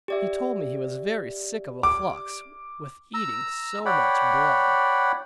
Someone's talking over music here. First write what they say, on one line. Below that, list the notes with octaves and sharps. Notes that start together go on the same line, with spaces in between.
He told me he was very sick of a flux, with eating so much blood.
G4 D5 E5
D6
A#5 E6
C#5 D5 F#5 G5 B5